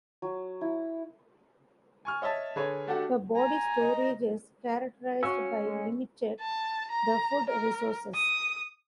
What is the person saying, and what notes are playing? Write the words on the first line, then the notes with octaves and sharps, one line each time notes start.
The body storage is characterized by limited the food resources.
F#3
E4
G#5 C#6 F6
C#5 D#5 E5 A5
D3 G#4 B4 C#5
A3 D4 F#4 G4 A4 F#5
G#5 A#5
D#5
C#4 F#4 F5 C#6 E6
G#3
A5
A#5
A#4
D#6